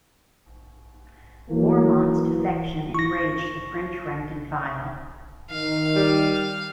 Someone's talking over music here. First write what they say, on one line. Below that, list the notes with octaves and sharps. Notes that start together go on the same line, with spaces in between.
Bourmont's defection enraged the French rank and file.
E3 F#3 A#3
C#6 A#6
D#3 F5
G3